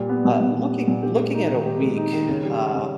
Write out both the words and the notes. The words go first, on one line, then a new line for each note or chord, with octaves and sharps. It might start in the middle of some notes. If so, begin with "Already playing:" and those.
Uh, looking looking at a week, uh,
Already playing: A#2 G3
B3
A#2
A#2
G3
B3
A#2
G4
G#3
D#4
D#3
G4
G#3
D#4
D#3
C#3
G3
C#4
C#3